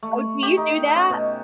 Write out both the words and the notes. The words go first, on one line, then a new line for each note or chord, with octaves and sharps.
Oh, do you do that?
A3
G4
D#4
C#4
B2